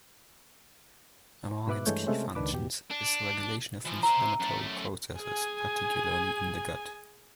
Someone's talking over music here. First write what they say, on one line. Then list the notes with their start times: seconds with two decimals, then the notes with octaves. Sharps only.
Among its key functions is regulation of inflammatory processes, particularly in the gut.
1.67 G#2 B2 B4 E5 D6 F#6
1.86 G2 E3 G#3 A3 C#5 G6
2.07 C3 G#3 A3 C#4 C5
2.35 C#2 D#3 D4 B4 D6
2.52 E2 B2 G4
2.91 D4
3.85 E3 F3
4.03 C5 E5 A#5
4.40 F#2 A3
5.18 G#4 G#5